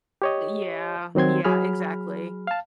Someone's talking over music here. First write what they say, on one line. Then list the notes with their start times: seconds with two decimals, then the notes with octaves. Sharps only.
Yeah, yeah, exactly.
0.22 G4 C#5 D#5
1.15 D#3 F#3 C4 C6 G#6
1.44 F#3 G#4 B5 F6
2.47 F5 A5